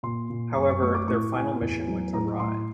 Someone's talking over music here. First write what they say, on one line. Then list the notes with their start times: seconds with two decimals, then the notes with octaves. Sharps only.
However, their final mission went awry.
0.03 A#2 C6
0.30 A#2
0.56 F#2 C#6
0.70 C#6
0.82 A3 C#6
0.95 D6
1.08 A2 C#6
1.35 A2 G#5
1.61 E2
1.88 F#3
2.14 A2 A#5
2.40 A2 C6